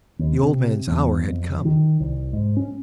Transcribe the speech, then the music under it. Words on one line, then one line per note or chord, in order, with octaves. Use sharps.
The old man's hour had come!
D#2
C3
E2
F2
D#3
C2
G#2
C#4